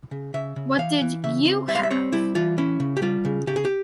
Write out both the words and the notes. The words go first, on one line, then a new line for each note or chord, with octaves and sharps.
What did "you" have?
C#3
C#3 E5
C#3
E3 F5
E3
C#3 E5
C4
G3 E5
F5
E5
C4 C#5
G3 E4
E3 F4
C#4 E4
C#3
G4
G3 F4
C#3
C#3 G4
G#4
G4